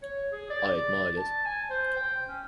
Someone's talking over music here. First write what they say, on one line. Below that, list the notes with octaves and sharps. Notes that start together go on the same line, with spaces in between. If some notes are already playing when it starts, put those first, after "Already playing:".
I admired it.
C#5
G#4
D5
A5
G#5
C5
G5
C#4